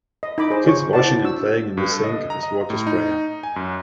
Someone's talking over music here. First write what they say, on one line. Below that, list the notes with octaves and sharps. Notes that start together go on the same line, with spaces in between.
Kids washing and playing in the sink with water sprayer.
D#5
D#4 D#5 B5 D6
G#4 C5
F4 C#5 C#6
E4 C5 D5 F#5 A5
D4 F#4 E6
G2
A4
D#5
A#5
D#5
A2
D#4
G#5
F#2